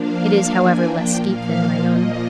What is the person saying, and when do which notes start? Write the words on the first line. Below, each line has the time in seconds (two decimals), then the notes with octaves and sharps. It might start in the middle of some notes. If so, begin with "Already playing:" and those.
It is, however, less steep than Mayon.
Already playing: F3 A#3 D4 F5
0.52 G#5
0.84 G5
1.14 A#2 F3 A#3 F5
1.77 D#5